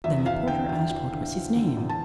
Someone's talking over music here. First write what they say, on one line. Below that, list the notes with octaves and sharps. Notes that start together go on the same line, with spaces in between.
Then the porter asked what was his name.
E2 E5
E2 F5
D3 G5
E2 G5
E2
D3
F3
D3
E2
A5